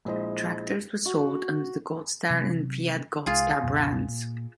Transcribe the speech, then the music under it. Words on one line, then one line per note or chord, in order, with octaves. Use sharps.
Tractors were sold under the GoldStar and Fiat-GoldStar brands.
A#1 G#3 E4 C5 D#5
F#4
C3 F#3
C2 G#3 F4 G#4
C#2 F#2 B2
A#2